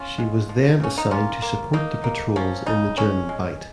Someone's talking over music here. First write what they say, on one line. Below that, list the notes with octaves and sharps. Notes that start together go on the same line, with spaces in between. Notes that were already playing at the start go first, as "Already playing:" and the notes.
She was then assigned to support the patrols in the German Bight.
Already playing: C#4 F4
G#3
F3
C#3 C#4
D#4
A#3 C#4 F4
A#3
A#3 D#4
A#3
F3 C#4
C#3 D#4
G#3 C#4
G#3